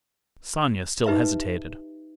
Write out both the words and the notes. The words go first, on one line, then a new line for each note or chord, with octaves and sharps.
Sonia still hesitated.
D#4 G4 B4 D#5 E5 A#5